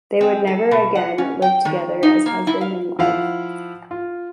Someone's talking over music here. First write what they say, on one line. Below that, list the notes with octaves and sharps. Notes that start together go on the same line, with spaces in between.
They would never again live together as husband and wife.
C4
A4
B2
F#5
C#4
G5
D#3
D#4
A#3
E4
F5
F3 E4 F5 F#5
F4